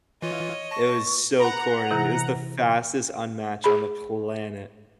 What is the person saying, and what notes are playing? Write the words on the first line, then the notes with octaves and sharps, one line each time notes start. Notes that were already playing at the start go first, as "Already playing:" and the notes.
It was so corny. It was the fastest unmatch on the planet.
E3 F4 C#5 D#5
A5 C#6 A#6
F#5 A#5 B5
C3 E3 E4
G#4 B5